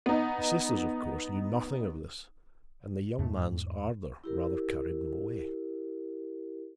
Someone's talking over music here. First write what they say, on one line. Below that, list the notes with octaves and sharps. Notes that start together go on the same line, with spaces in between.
The sisters, of course, knew nothing of this, and the young man's ardor rather carried them away.
B3 D#4
E2 G#2 A3
E4 G4 A#4